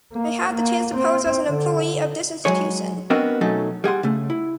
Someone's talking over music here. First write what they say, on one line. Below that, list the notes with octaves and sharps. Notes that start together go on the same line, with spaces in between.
I had the chance to pose as an employee of this institution.
A#3
A#3
C4
D3
F#3 G#3 G#4 C#5
B3 C4 D4 F#4 A#4 D#5
B1 F#3 A3 C#4 D#4 A4
G3 G#4 F#5 C6
C#3 A3
E4